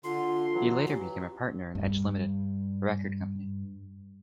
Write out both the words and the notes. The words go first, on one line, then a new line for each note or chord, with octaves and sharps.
He later became a partner in Edge Limited, a record company.
D3 F4 C6
E3 F#3
G4
G2 G3